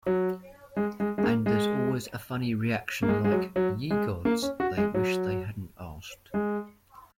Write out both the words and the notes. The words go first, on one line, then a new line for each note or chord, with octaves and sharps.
And there's always a funny reaction, like 'Ye gods, they wish they hadn't asked.
F#3
G#3
G#3
G#3
A#3
G#3
A#3
G#3
G#3
F#3
F#3
G#3
A#3
C#4
F#4
G#3
F#3
G#3